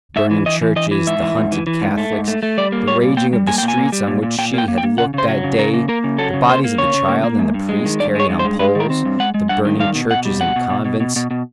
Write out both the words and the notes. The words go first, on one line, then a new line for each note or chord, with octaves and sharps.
The burning churches, the hunted Catholics, the raging of the streets on which she had looked that day, the bodies of the child and the priest carried on poles, the burning churches and convents. ...
G#2 E5
E3
E3 D#5
E3
E3 D#5
E3
G#2 E5
E3
G#2
E3
E3
G#2
A3
G#2
A3
A3
G3 D5
A#3
G3 C#5
A#2
A#3 G5
G3
A#3 G#5
G5
A#2
G#5
A#3
G3
A#2
A#2
A#2 G5
A#3 G5
A#3
G5
A#3
C#3 F#5
C#3 C5
F#3
C#3
C#3 A#4
A#3
A#3 A#4
C#3
F#3 A4
C#3
A#3 C5
A#3
C#3 C#5
C#3
A#3
A#3
G#3
G2
G#3
D#3
G2 D5
G#3 C#5
G2
C5
G#3
G#3 B4
D#3 A#4
C4
G2
G#3 F#5
G#3
G2 F#5
D#3
G3 F5
B2
B2 F#5
G3
B2 F#5
B2
B2
B2
B2
B2
B2